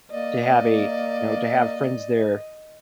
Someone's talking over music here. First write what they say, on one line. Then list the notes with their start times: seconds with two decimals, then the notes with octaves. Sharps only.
to have a know, to friends there.
0.11 A#3 D5 D#5